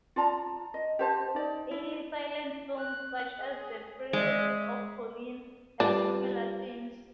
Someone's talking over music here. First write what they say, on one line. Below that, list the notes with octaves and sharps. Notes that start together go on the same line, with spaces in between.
Early silent films, such as "The Perils of Pauline" had similar themes.
F4 D5 A5 A#5
D#5
G4 C5 A5
D#4 D5
E4
F#6
G#4
G#3 D5 E5
G3 D4 F4 B4